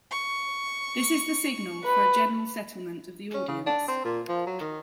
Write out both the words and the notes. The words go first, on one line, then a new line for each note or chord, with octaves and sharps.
This is the signal for a general settlement of the audience.
C#6
B4
C#4
C#3
D4
C4
A#2
F3
F#3
D#3